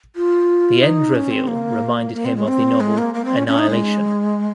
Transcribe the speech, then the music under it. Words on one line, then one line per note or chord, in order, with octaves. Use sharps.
The end reveal reminded him of the novel "Annihilation".
F4
D#4
C#4
C4
A#3
A#3
C4
G#3
C4
G#3
A#3
A#3
C4
C#4
C#4
D#4
G#3